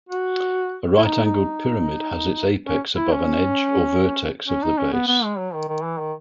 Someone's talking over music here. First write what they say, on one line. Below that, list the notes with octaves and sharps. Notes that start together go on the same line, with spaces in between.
A right-angled pyramid has its apex above an edge or vertex of the base.
F#4
E4
D#4
D#4
C#4
E4
C#4
C#4
D#4
C#4
B3
B3
G#3
F#3
D#3
D#3
E3
D#3